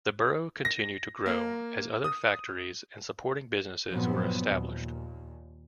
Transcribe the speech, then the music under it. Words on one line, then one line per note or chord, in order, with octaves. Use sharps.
The borough continued to grow as other factories and supporting businesses were established.
A#6
A#3
D#6
G2 A#2 F3 F#3 B3 C4
D#2 A#2